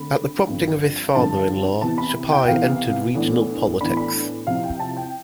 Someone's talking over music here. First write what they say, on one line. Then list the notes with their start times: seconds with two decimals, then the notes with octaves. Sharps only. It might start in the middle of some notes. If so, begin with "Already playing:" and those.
At the prompting of his father-in-law, Chapais entered regional politics.
Already playing: D3 A3 C4 B5
0.49 G2 D3 F3 C4
1.15 G2 D3 F3 C4 A5
1.81 C3 E3 B3 A5
1.98 B5
2.32 G5
2.48 C3 E3 B3 F5
3.14 A2 E3 B3 D4
3.81 A2 E3 B3 D4 B5
3.97 B5
4.47 C3 F3 C4 E4 F5
4.63 G5
4.80 A5
4.97 G5